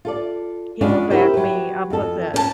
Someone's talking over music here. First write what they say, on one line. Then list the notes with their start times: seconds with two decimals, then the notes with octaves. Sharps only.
he will back me up with it.
0.05 F4 A4 D5
0.81 G#3 B3 C#4 D4 F4
1.10 E4 G4 A#4 C5 C#5
1.34 F#3 G4 B4
1.90 F2 A4
2.34 C#4 A#4 A5